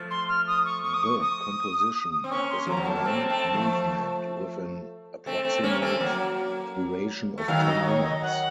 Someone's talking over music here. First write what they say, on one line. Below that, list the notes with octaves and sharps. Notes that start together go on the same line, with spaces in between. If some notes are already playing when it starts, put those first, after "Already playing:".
The composition is in one movement, with an approximate duration of ten minutes.
Already playing: F3 A3
C6
F6
D#6
C#6
C#6
D#6
C#6
D#6
C4
A#3 C#4 C#6
C6
F3 A#5
F#3
A3 A5
A#3
A3 C4
A3 C4
F3 A3
A3 C4
A3 C4
A#3 C#4
A3 C4
F#3 A#3
A3
D#3 F#3 F5
D#5
C#5
D#5
F#5